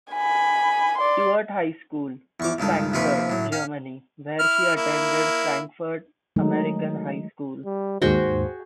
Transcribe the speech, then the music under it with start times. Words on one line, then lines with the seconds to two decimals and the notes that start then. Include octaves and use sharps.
Stuart High School, to Frankfurt, Germany, where she attended Frankfurt American High School.
0.12 G#5 B5
0.98 D5 C6
2.40 E2 C#6 D6
2.58 C#2 G2 D#3 A4
2.93 D#2 C3 F3 C4 B4 C#6
3.30 A2 F#3
3.52 C#4 F5
4.39 E4 F6
4.76 A#3 E4
6.36 D#3 F#3 G#3 A3 D#4
7.65 G3
8.02 D#2 G#2 D#3 F#4 G#4 C5 G5